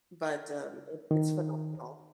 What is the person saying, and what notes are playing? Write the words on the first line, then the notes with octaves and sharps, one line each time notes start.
but, um, it it's phenomenal.
D#3